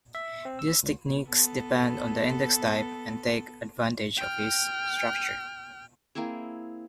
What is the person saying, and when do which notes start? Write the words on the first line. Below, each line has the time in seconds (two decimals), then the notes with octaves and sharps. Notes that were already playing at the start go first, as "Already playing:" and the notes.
These techniques depend on the index type, and take advantage of its structure.
0.15 E5
0.45 C4
0.59 E6
0.83 C#2
1.28 B3 A4
4.17 G5 F6
6.15 A#3 C4 E4 G#4